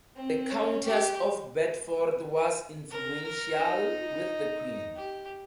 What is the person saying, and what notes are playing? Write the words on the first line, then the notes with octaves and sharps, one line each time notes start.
The Countess of Bedford was influential with the queen.
C4
C#4
G4
A#4
A#4
D#4
G4